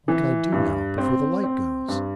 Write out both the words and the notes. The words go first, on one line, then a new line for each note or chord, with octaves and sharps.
What can I do now, before the light goes?'
E3
G2
C4
C4
G2